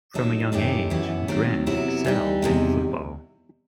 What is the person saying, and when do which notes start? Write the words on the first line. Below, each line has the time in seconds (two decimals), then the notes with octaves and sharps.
From a young age, Gren excelled in football.
0.14 F#3 A3 D#4 A4
0.52 F#2 D#3 A3 E4 G4
0.90 F#2 E3 B3
1.28 D#3 F#3 A3 C4
1.66 C3 F#3 B3 E4
2.05 E3 G3 D#4
2.42 E2 C3 D#3